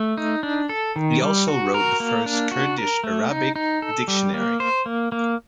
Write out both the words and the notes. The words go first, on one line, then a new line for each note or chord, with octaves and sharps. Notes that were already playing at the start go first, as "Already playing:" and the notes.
He also wrote the first Kurdish-Arabic dictionary.
Already playing: A3
D#4
D4
A4
D#3
G3
F#4
A#4
A#3
D4
F#4
A#4
A3
D#4
D#4
A4
G3
A#3
C5
A#3
A#3